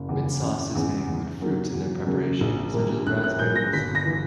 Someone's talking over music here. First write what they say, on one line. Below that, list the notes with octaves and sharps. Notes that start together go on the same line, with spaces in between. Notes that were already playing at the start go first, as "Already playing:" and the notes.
Mint sauces may include fruits in their preparation, such as raspberries.
Already playing: F#1
E2 C#3
F#1
E2 C#3
E2
C#3 F#3 A#3
E2
C#3 F#3 A#3
A#1
A#2 G3 A#3
A#1 F#6
F#6
A#2 G3 A#3 G6
A#6
G1 B6
A#6
E3